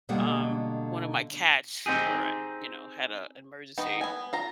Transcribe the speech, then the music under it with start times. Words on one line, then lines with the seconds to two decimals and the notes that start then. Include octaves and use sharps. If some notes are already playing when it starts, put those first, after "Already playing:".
um, one of my cats were you know, had an emergency.
0.09 B2 D3 G3 G#3 A#3 F#5
1.86 C4 D#4 G4 G#4
3.78 D#3 B3 D#4
4.01 B3 G#5
4.33 F4 A#5